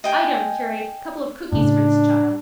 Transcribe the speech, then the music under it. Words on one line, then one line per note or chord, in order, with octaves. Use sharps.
Item, curate, couple of cookies for this child.
D#5 G5 G#5
A2 C#3 D4